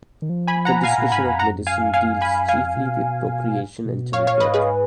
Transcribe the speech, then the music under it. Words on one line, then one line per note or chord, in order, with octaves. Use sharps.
The discussion of medicine deals chiefly with procreation and childbirth.
D#3
F3
G#5 B5
F#5 A#5
A#2 F5 G#5
A#2
G#2 G#5 B5
F2
F#2 F#5 A#5
F2
F#2 F5 G#5
F5 G#5
G#5 B5
F2 F5 G#5
B2
A#2
B2
B2
A#2 C#5 F5
C#5 F5
G#2 B4 D#5
G#4 B4